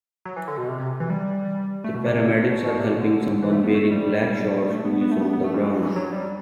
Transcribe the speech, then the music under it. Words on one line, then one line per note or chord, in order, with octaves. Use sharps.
The Paramedics are helping someone wearing black shorts who is on the ground.
F#3
E3
D3
B2
C3
C3
E3
G3
A3
B2
C3
C3
D3
C3
B2
B2
C3
B2
D3
E3
A3
B3
A3
G3
A3
B3
B3
A3
B3
B3
A3
G3
E3
F#3
G3